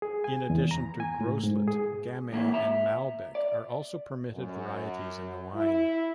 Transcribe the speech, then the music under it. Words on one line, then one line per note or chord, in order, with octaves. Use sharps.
In addition to Groslet, Gamay and Malbec are also permitted varieties in the wine.
G#4
G#5
E2
A#5
G#5
A2
G#2
G#4
E3 A#3 C#4 E4
E5 A#5
D5
F#2
E4